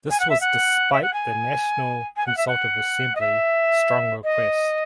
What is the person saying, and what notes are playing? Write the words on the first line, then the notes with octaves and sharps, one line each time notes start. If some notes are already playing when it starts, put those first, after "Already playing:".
This was despite the National Consultative Assembly strong request.
G#5
F#5
E5
F#5
E5
F#5
G#5
G#5
F#5
E5
F#5
D#5
E5
D#5